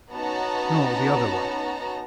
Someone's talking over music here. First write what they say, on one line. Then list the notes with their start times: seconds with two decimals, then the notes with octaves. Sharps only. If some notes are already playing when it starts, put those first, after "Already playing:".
"No, the other one."
0.13 B3 C#4 D#4 F#4 A5 A#5